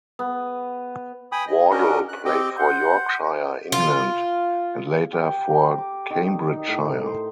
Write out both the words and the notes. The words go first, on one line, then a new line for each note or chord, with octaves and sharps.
Wardle played for Yorkshire, England, and later for Cambridgeshire.
B3
G5 G#5 B5 D#6
D#5
C#4 D4 F#4 A#4 D#5
F#6
C4 G4 D#5 G5
F#5 C6 G6
F4
G4
A#5
D6
D#3
D#4
A2
C5